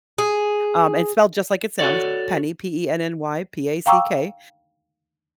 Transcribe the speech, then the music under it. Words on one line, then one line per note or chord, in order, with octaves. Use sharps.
Um, and spelled just like it sounds, Penny, P-E-N-N-Y P-A-C-K,
G#4
F#4 A4 C#5 D5
F5 G5 A#5 C#6 D6 E6